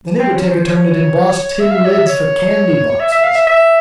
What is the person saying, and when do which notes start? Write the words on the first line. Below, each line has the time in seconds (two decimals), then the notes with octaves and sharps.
Then it would take a turn at embossed tin lids for candy boxes.
0.19 C4
0.35 C#4
0.51 C5
0.66 C#5
1.60 E5
1.71 F5
1.75 E5
1.85 C#5
1.91 E5
2.07 C#5
3.00 E5
3.12 E5
3.24 F5
3.35 E5
3.47 E5